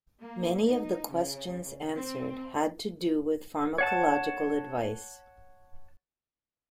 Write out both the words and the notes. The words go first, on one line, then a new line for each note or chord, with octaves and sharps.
Many of the questions answered had to do with pharmacological advice.
A#3
D#4
C#3
C4
C#5 F#5 A5